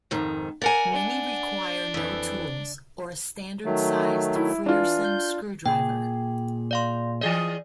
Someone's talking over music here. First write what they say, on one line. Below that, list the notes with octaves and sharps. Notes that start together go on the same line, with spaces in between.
Many require no tools, or a standard-sized Frearson screwdriver.
F2 G#2 D#3
A#4 D5 F#5 G#5
D4
F2 E3
D#3 F#3 A3
E4
E3 D4 F4
G6
A#2 G#4 G5
D5 F5 C6
E3 G#4 D5 D#5